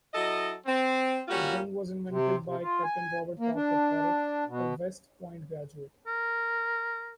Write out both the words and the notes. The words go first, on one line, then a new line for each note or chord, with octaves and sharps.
The gun was invented by Captain Robert Parker Parrott, a West Point graduate.
F#3 E4 A4 D#5
C4
G3 A#3 C#4 F4 F#4
C3
C3
F4
G#5
A#3
D4
B2
A#4